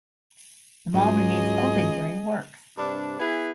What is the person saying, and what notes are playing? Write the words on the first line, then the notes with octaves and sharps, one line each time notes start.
The mall remains open during works.
C#2 G#2 F#3 G#4 D#5
G2 C3 D4
B3 E4 G#4 B4 G#5